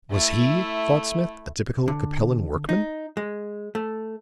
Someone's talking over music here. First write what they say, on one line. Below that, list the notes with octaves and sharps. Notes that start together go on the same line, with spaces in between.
Was he, thought Smith, a typical Capellan workman?
A3 E4
D3
D#4
G#3
A3